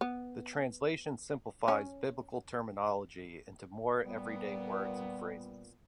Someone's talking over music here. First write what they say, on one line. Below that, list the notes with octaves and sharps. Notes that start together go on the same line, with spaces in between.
The translation simplifies Biblical terminology into more everyday words and phrases.
B3
C#4
A#2 G3 B3